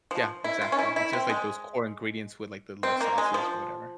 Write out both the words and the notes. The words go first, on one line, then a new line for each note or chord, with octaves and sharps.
Yeah, exactly, it's just like those core ingredients with, like, the little sauces or whatever.
F3
E4
F4
C#4
E4
E4
C4
G#3
C4
A#3
G#3
F3